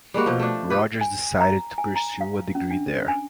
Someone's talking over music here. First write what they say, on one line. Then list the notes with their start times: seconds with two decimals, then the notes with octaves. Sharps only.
Rogers decided to pursue a degree there.
0.14 G3 G#3 A#3 F#4
0.26 B2 F3
0.39 A3 D4
0.70 G4 B4
1.01 G#5
1.40 A#5
1.78 G#5
1.96 A#5
2.21 F5
2.55 C#4
2.71 D4
3.08 G#5